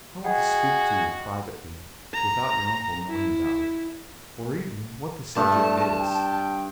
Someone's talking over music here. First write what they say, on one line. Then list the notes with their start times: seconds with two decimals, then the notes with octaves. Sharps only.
I want to speak to you privately without your uncle knowing about it, or even what the subject is.
0.24 F#4 G#4 D#5 F#5 G5
2.14 A#5
3.09 E4
5.36 G2 A3 A5
6.00 G5